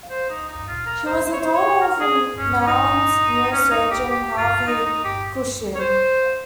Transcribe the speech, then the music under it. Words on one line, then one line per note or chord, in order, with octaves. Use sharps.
She was the daughter of renowned neurosurgeon Harvey Cushing.
C5
D#4
D#4
F4
A#4
C5
C5
C#5
C5
C#5
A#4
G#4
C#4
C#4
D#4
C#4
D#4
G4
G4
F4
D#4
D#4
G4
C#5
C5